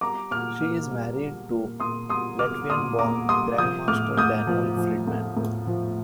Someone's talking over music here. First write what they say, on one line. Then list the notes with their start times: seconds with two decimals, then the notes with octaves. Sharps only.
She is married to Latvian-born Grandmaster Daniel Fridman.
0.01 G3 A#5 D6
0.31 A#2 D6 F6
0.62 A#2
0.91 G3
1.20 G3
1.51 A#2
1.80 A#2 C6 D#6
2.09 G3 C6 D#6
2.39 G3 D6 F6
2.69 A#2 C6 D#6
2.99 A#2 A#5 D6
3.29 G3 C6 D#6
3.58 F3 D#6 G6
3.88 A2 D6 F6
4.17 A2 D#6 G6
4.47 F3
4.77 F3
5.07 A2
5.37 A2
5.67 F3